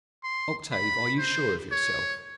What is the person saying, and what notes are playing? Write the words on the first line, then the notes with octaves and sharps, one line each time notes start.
"Octave, are you sure of yourself?"
C6
B5
C5
C#5